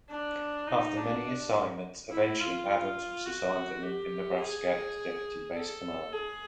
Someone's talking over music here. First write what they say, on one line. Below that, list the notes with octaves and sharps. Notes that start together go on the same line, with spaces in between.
After many assignments eventually Adams was assigned to Lincoln Nebraska as Deputy Base Commander.
D4
D#4
D4
E4
F4
F4
F#4
G4
G#4
A4
G#4